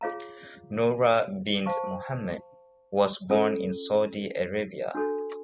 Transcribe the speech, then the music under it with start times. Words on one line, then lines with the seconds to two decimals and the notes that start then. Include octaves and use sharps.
Noura bint Mohammed was born in Saudi Arabia.
0.01 F4 G#4 C#5 F5 A#5
1.66 C5 F5 A5 C#6
3.30 C#4 F4 A4
4.95 D4 F#4 A4